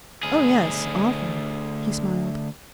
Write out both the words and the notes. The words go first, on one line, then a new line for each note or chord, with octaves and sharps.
'Oh yes, often.' He smiled.
D2 G#4